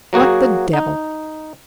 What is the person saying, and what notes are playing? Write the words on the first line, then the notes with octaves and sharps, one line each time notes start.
What the devil!
F#3 A#3 F#4 G#4
D#4